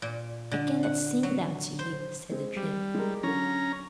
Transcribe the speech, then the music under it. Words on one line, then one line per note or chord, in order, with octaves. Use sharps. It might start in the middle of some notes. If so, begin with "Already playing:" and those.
"I cannot sing them to you," said the dream.
A#2
D3
F#5
F#3
C5
G#3 C4
G3
G#3 A#4
D3 F#3 C#4 A#5